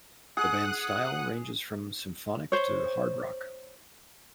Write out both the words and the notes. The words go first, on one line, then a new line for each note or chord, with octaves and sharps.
The band's style ranges from symphonic to hard rock.
G#4 F#5 D#6 F#6
C5 C#5